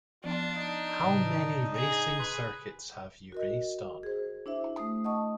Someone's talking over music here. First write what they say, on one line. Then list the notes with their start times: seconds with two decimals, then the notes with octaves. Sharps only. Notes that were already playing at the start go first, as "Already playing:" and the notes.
How many racing circuits have you raced on?
0.24 F3 B3 D4 F4
0.56 D#4
1.03 A2 C#3
1.75 G#4
2.19 B4 C6
3.32 F#4 A#4 D#5
4.03 G#4 C5
4.46 D4 E4 C5 E5
4.77 A3 D#6
5.04 D#5 F#5 A5 C#6 D#6